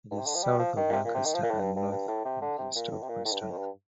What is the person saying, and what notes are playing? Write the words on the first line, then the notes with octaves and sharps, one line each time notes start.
It is south of Lancaster and north-northwest of Preston.
G2
C3
D3
F3
G3
F3
D#3
A#2
C3
A#2
C3
D#3
F3
A#2
A2
G2
G2
G2
A2
C3
D3
C3
A#2
A2
C3
A#2
A2
G2
A2
F2
G2